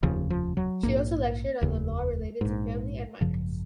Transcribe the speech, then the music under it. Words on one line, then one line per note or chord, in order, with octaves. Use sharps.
She also lectured on the law relating to the family and minors.
F1 D#2 C#3 F3
F3
F#3
A#1 G#2 A#3
F1 D#2 C#3
A#1 G#2
G#1 F#2 C#3 F3